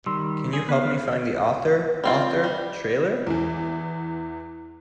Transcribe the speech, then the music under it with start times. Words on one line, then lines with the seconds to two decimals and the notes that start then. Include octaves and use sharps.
Can you help me find the Author! Author! trailer?
0.06 D#3 G3 C6 E6
0.53 G#4
0.69 B3 B4 F5
2.04 G3 C4 F4
2.44 G3
3.27 E2 E3